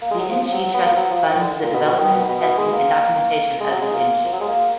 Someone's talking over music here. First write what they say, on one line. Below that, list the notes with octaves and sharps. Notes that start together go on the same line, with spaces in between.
The InChI Trust funds the development, testing and documentation of the InChI.
A#3
G#3
F#3
F3
F3
F#3
F#3
B3
A#3
F3
F#3
F3
D#3
D3
A#2
B2
B2
D#3
B2
B2
B2
G#3
A#3
G#3
F#3
G#3
A#3
F3
F#3
G#3
A#3